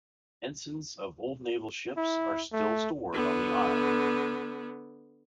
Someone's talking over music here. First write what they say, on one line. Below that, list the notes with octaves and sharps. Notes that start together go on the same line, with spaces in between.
Ensigns of old naval ships are still stored on the isle.
E4
A3
D3 B3